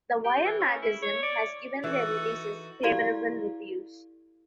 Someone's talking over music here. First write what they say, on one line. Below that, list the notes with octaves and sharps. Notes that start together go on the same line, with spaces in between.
"The Wire" magazine has given their releases favourable reviews.
G4
E3
C#4
E4
C#5
D5
E3 D#4 F#4 A4
E4 F#4 G4 A4 D5 F5